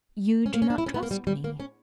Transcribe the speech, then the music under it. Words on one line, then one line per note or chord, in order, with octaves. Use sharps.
"You do not trust me?"
C#4
A#3
C#4
D4
E4
C#4
B3
A#3
G3
G3
A#3
C#4